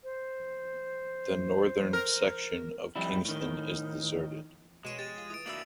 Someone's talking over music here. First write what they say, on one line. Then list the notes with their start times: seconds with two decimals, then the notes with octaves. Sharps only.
The northern section of Kingston is deserted.
0.04 C5
1.93 A#4
2.96 F2 G3 E4
3.25 A2 D#3
4.85 B2 G#3 C#5 D#7 E7
4.99 G4 A6
5.18 F4
5.30 E3 D#6 D7
5.46 A#3 D4 E4 F#4 E6 B6 F#7